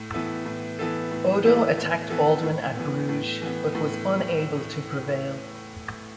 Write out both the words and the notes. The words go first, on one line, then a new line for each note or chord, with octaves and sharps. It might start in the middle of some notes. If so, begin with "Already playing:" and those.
Odo attacked Baldwin at Bruges but was unable to prevail.
Already playing: A2
E3 B3 E4 A4
A2
E3 B3 E4 A4
A2
E3 B3 E4 A4
A2
E3 B3 E4 A4
A2
E3 B3
A2
E3 B3
A2